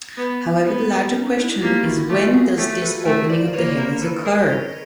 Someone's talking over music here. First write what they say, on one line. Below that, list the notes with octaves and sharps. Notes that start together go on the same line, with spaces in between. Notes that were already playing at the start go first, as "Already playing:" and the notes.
However the larger question is when does this opening of the heavens occur?
B3
B3
C#4 D#4
D4 E4
A#3 F4 G4
F4
E4 F#4
A3 F4 G4
F#4 G#4
A3 G4 A4
A4 B4
A3 A#4 C5
C5 D5
A#3 B4 C#5
A#4 C5
A4 B4
G#4 A#4
C#5 D#5